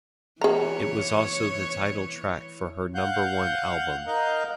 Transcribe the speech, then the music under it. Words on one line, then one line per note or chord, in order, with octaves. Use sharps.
It was also the title track for her number one album.
E3 G#4 C#5 A#5
F5 F#5 F#6 G6
D#4 A#4 D#5 F5 F#6 G6